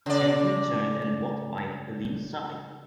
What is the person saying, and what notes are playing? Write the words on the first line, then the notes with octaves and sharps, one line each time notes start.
And he turned and walked by Helene's side.
C#3 D5